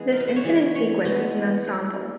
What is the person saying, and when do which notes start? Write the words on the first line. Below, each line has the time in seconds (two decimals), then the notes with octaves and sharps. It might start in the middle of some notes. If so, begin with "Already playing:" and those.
This infinite sequence is an ensemble.
Already playing: E3 G#3 B3 G#4
0.12 A#4
0.21 B4
0.28 C5
0.36 C#5
0.44 E3 G#3 B3 D5
0.75 C#5
1.05 E3 G#3 B3 D#5